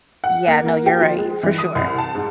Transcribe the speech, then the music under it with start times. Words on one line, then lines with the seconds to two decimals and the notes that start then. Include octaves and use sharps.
Yeah, no, you're right, for sure.
0.24 F#5
0.48 A#3
0.66 A#3
0.86 G4
1.01 F3
1.19 G#3
1.43 E3
1.58 D#6
1.75 C2
1.98 A5
2.15 G#2